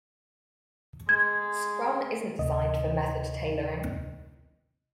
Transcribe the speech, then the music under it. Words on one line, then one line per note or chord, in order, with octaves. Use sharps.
Scrum isn't designed for method tailoring.
G#3 G#6
D2 C3 D#5